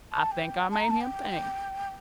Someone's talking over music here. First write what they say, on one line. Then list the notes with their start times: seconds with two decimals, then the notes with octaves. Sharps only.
I think I made him think.
0.12 A5
0.31 G5
0.70 A5
0.80 A#5
0.90 A5
1.01 G5